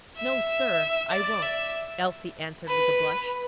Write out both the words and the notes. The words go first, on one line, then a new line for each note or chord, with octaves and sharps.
"No, sir, I won't," Elsie answered with a blush.
E5
D5
E5
B4